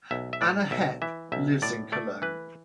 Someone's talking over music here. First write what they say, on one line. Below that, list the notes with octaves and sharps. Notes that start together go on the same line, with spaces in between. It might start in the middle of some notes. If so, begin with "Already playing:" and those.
Anna Hepp lives in Cologne.
B1 E5
E5
A2 D5
B1 E5
E3 E5
B1 E5
A2 D5
A3 D5
E3 B4